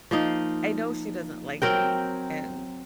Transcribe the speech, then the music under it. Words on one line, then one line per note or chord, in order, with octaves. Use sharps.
I know she doesn't like me, and
F3 A#3 D#4
F#3 C4 A#4 G5